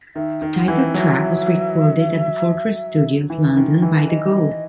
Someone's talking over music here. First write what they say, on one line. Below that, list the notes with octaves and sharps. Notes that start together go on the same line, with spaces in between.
The title track was recorded at The Fortress Studios, London, by The Go!
D#3 E5
D#3
F#5
E3
F#3 E5
E3
D#3
E3
D#5